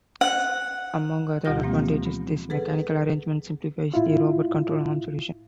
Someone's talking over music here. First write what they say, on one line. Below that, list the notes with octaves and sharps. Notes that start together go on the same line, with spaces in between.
Among other advantages, this mechanical arrangement simplifies the Robot control arm solution.
F#5
D2 B2 G3 F4 G4 A#6
E3 F3 G#3 A#3 C4
B3
G#4 A4 B4 F#5
A2 E4 F4